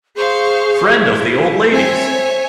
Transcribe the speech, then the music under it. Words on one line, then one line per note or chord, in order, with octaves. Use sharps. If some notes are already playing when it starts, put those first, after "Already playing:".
Friend of the old lady's.
G#4 C5 F5 C#6
E4
C4 C#5 E5 G#5
C5